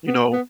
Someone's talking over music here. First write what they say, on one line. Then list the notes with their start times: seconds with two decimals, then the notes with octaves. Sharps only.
You know,
0.07 B3
0.33 B3